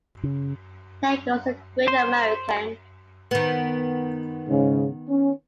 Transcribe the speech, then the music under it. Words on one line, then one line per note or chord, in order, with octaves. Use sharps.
There goes a great American.
C#3
C5
D#3 B3
G#2 C#3
C#4